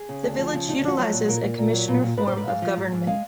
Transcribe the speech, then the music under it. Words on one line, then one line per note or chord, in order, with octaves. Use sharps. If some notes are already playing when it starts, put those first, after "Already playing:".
The village utilizes a commissioner form of government.
Already playing: G#4
C#3
D2
F3
C#3
D2 D#4
C#4
F3 F#4
F#3 F#4
A#2
A#2 A#4
A#2
A#2
F#3
A#2
A#2
G#2 B4
C5
G#2
B4
G#2 F5
F3
G#2
G#2
G#3 F5